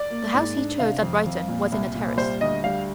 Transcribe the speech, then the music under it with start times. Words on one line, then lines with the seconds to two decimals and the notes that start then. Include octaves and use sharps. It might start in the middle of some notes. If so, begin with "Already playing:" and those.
The house he chose at Brighton was in a terrace.
Already playing: D5
0.10 A#3
0.34 G#2
0.57 D4
0.79 C3 F5
1.03 F2
1.26 F2
1.48 A#2
1.72 C2
1.95 A#2
2.17 G3 C5
2.41 D2 D#5
2.64 G3 F5